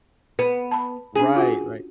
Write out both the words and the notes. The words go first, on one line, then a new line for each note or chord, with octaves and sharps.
Right, right.
B3 B4
A5 B5
C#4 D4 G#4
F4 F#4 F#5